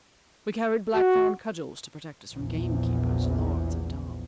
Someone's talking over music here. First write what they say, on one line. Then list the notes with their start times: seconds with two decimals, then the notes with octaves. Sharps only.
We carried blackthorn cudgels to protect us from gamekeepers, lords and dogs.
0.95 F#4
2.36 A#1 E2